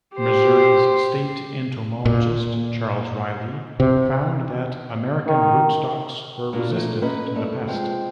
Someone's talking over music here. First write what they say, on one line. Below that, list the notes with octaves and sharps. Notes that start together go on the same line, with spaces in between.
Missouri's state entomologist, Charles Riley, found that American rootstocks were resistant to the pest.
G4 C5
A#2
C3
D#3
A#2 A#3 D4 F4
A#2 A3
A#3 C#4 B4 D#5
G2 A3 D#5
F3 G#3 C4